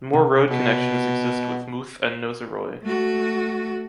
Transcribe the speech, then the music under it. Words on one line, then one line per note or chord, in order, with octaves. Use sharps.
More road connections exist with Mouthe and Nozeroy.
C3
B2
A3 F#4